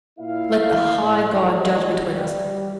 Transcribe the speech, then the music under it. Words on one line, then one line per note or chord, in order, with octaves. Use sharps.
'Let the high God judge between us.
A#2 E4 F5
A2
A#1 E2 G2 A#2 G3 G#3
G3